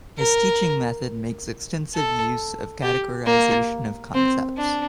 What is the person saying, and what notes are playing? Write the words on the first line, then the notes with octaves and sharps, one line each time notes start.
His teaching method makes extensive use of categorization of concepts.
A#4
A4
G4
A#3
C4
D4